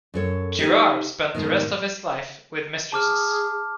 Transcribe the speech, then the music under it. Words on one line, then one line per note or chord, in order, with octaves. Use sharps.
Girard spent the rest of his life with mistresses.
F#2 A4 C#5
D#4 G4 D#5
G#2 B2 D#3
G#4 A5 D6 F6